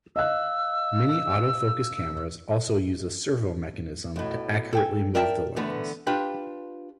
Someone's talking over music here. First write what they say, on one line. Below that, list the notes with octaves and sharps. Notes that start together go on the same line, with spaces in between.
Many autofocus cameras also use a servomechanism to accurately move the lens.
D#5 F5 E6 F#6
B1 A2
A4 G5 G#5
A#4 D5 E5 G5 A5
D3 E3 A3 B3
D4 F4 G4 B4